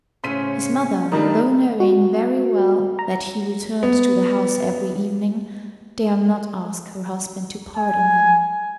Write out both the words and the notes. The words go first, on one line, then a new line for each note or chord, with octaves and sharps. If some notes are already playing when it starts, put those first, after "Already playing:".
His mother, though knowing very well that he returned to the house every evening, dare not ask her husband to pardon him.
A2 C#3 C4 C#4 C6 B6 D#7
G2 D#3 G3 A3 D4 D#4
F#4
A#5
B3
G#5